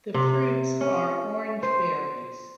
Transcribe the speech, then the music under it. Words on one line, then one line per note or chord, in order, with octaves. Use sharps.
The fruits are orange berries.
C3
C#4
C5